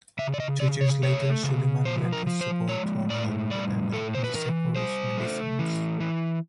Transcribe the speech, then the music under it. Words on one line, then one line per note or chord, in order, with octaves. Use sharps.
Two years later, Suleyman lent his support to another pretender, Nicephorus Melissenus.
C#3 E5
D5
D#5
C#3 D5
C#5
A3 C#5
C#3
F3 C5
A#4
F3
C5
G#3 C#5
A2 D5
G3 D5
A2 A4
C5
B4
E3 A#4
G3 C5
A3
E3
E3